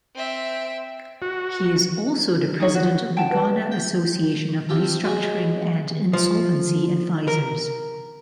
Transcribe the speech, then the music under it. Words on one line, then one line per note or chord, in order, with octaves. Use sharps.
He is also the President of the Ghana Association of Restructuring and Insolvency Advisors.
C4 E5
F#4
D#4 G#4 C#5
F#4
F#5 G5 A5
B4
G5
C3 F4 G4 A4 A#5
F#3 G#3 F#4 G#5 A#5
F3
A#4